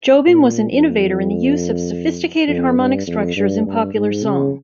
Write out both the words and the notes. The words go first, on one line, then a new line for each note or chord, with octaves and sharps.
Jobim was an innovator in the use of sophisticated harmonic structures in popular song.
A#2
F2
F2
G2
F2
G2
G2
G#2
C#3